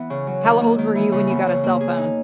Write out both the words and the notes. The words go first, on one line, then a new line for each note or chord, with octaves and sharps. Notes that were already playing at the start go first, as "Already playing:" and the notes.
How old were you when you got a cell phone?
Already playing: E3 B3
C#3
F#3
D#3
A#3
D#3
E3
C#3
B3
C#3
A#3
G#4
D#4